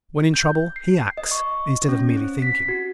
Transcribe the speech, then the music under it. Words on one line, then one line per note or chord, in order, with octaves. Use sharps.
When in trouble he acts, instead of merely thinking.
G6
C7
D#5
C#6
C#4
C4
B6
F#4